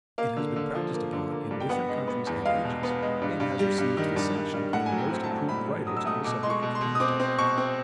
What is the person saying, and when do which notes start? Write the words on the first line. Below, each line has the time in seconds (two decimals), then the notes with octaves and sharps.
It has been practiced upon in different countries and ages, and has received the sanction of the most approved writers on the subject of politics.
0.18 A#3 F5
0.36 D3
0.56 D3
0.75 F3
0.94 A#3
1.13 D3
1.31 A#3
1.51 G2
1.60 G5
1.69 B3 F#5
1.89 G#3
2.08 B3
2.27 E2
2.45 G#3 F5
2.64 B2
2.83 B3
3.02 G#3
3.22 G2
3.40 G2
3.59 G3
3.78 G2
3.97 D#3
4.16 G2
4.35 G2
4.53 G2
4.73 A2 F#5
4.86 G#5
4.91 F#3
4.98 G5
5.11 C4
5.23 A5
5.30 A2
5.49 A2 B5
5.67 A2
5.87 F#3 D#6
5.96 E6
6.05 A3 D#6
6.24 B2 D6
6.43 G#3 C6
6.50 C#6
6.62 B2
6.75 C6
6.81 B2
6.95 D#6
7.00 C4 D6
7.20 C4
7.38 B2 C#6
7.57 C4